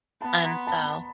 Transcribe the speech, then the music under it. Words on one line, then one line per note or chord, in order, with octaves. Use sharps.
And so
B3 A5 B5
A#5 C6
A5 B5